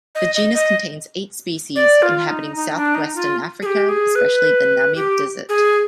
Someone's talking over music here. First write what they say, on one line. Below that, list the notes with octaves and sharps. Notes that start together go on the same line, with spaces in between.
The genus contains eight species, inhabiting southwestern Africa, especially the Namib Desert.
D#5
D#5
D#5
D5
F4
D#4
D#4
D4
D#4
F4
G#4
G4
G#4
B4
G4
G#4